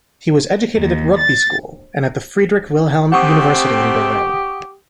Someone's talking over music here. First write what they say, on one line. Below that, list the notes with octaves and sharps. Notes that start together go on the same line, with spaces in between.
He was educated at Rugby School and at the Friedrich Wilhelm University in Berlin.
D#2
A6
C3 A3 C4 G4 F#5 C#6 D#6